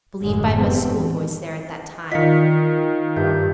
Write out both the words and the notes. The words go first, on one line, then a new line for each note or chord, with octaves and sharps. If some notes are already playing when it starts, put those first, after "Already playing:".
Believed by most schoolboys there at that time.
F1 F#2 A2 D3 G#3
E2 G2 C4
D#3 F4 D5 D#5 F5 B6 C#7
G2 G4 E5 G6